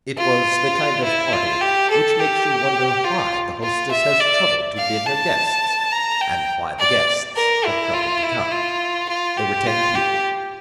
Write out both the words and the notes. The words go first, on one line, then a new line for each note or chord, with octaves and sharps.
It was the kind of party which makes you wonder why the hostess has troubled to bid her guests, and why the guests have troubled to come. There were ten people.
F4
E4
F4
G4
A4
G4
F4
F4
E5
D5
F5
A5
A#5
G5
D5
A#4
E4
F4
E4
F4
F4
G4
F4
G4